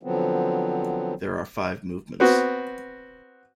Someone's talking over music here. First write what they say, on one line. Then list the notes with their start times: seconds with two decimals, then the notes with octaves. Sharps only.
There are five movements.
0.03 D3 F3 F#3 B3 C4
2.20 B3 C4 F#4